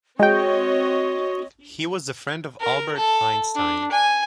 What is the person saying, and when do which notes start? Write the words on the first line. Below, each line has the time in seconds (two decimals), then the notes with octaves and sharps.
He was a friend of Albert Einstein.
0.19 G#3 C4 F#4 C#5 D#5 G5
2.60 A#4
2.96 A4
3.55 D4
3.91 G#5